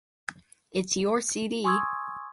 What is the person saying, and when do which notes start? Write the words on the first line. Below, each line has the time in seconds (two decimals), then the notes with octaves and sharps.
It’s your CD.
1.64 G#5 C6 C#6 D#6 E6 G#6